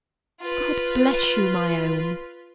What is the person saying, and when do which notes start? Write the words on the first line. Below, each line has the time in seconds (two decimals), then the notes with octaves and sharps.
"God bless you, my own!"
0.41 F4 B4